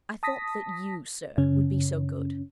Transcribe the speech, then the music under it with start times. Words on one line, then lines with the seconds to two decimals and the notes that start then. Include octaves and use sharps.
"I thought that you, sir, would be so good!"
0.23 A5 D#6 A#6 B6
1.38 F#2 C#3 C#4